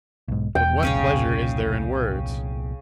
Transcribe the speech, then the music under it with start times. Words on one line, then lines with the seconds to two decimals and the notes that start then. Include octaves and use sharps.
But what pleasure is there in words?
0.28 B1 G#2
0.55 E1 E2 G5
0.83 C2 A#2 C#3 C#4 C#5